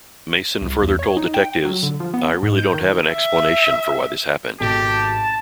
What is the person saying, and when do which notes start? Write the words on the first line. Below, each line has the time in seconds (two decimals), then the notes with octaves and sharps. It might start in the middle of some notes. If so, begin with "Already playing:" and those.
Mason further told detectives, I really don't have an explanation for why this happened.
0.61 C2
0.82 E2
0.99 C#5
1.17 D#4
1.34 G5
1.65 F#3
1.83 D3
2.00 F3
2.14 B3
2.43 G#2
2.58 G6
2.74 D#3
3.13 E5
4.60 G#1 B2 G4 A4 A5